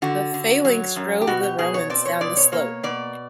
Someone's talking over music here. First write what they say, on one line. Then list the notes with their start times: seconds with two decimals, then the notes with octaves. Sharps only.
The phalanx drove the Romans down the slope.
0.02 D3 F#4
0.34 D3
0.65 F#3
0.96 F#2
1.21 G4
1.27 B2 F#4
1.43 G4
1.58 B2 G#4
1.74 C#5
1.90 C4 D5
2.06 C#5
2.21 B2 D5
2.37 C#5
2.52 A#3 C#5
2.83 B2 D5